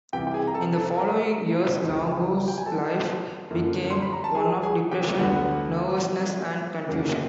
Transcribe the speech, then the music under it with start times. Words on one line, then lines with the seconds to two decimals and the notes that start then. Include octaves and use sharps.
In the following years, Longo's life became one of "depression, nervousness, and confusion".
0.13 C2 C3 E3 G4 G5
0.27 G5
0.34 G#4 G#5
0.47 A#5
0.54 A4 A5
0.76 A4 A5
0.97 A#4 A#5
1.82 C#2 C#3 E3
2.48 G5
2.57 G#5
2.66 A4 A5
3.50 F#2 D3 F3 A#3
3.90 C6
4.02 B5
4.13 A#5
4.24 A5
4.35 G#4 G#5
4.63 G#4 G#5
4.91 G4 G5
5.19 D2 D3 F#3 B3 F#4 F#5
6.88 D#2 C#3 F#3 A#3